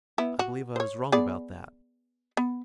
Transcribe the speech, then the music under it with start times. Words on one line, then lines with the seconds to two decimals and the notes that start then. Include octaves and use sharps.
I believe I was wrong about that.
0.18 B3 E4
0.39 F#4
0.76 C5 C#5
1.12 B3 G#4 D5
2.37 B3